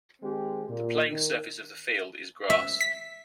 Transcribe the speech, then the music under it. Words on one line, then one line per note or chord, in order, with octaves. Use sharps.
The playing surface of the field is grass.
D#3 G#3 C4 G4
A#2
D#3
E5
B6